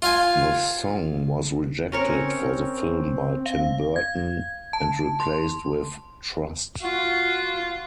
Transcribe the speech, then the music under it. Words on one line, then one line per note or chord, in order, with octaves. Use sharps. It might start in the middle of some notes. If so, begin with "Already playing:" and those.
The song was rejected for the film by Tim Burton and replaced with "Trust".
F4 F5 G#5
C4 C#4 A#4 C#5
F5
G#6
A5
C6
F4 F#4